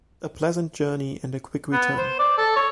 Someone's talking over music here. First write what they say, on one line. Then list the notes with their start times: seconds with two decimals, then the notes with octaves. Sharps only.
A pleasant journey and a quick return.
1.73 B3
1.98 C5
2.19 D5
2.38 A4
2.56 C#5